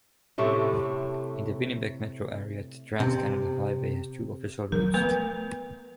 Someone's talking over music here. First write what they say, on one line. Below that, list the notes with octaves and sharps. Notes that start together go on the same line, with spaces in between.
In the Winnipeg metro area, the Trans-Canada Highway has two official routes.
A2 C3 A3 C4
C3
F3 F#3 A#4
A3 B3 B4